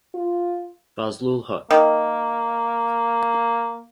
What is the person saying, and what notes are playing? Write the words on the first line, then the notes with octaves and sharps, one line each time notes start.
Fazlul Huq.
F4
D#3 A#3